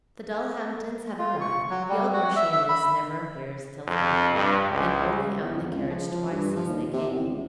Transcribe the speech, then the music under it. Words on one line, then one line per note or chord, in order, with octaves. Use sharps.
The Dulhamptons have arrived: the old Marchioness never appears till three o'clock, and only out in the carriage twice since they came.
F4
C#6
F#3
G3
F#4
E5
E5
B5
F2
G2
C#2
E2
F2
C#2
F3
F3
G2
F3
D#2
C3
E2
C#2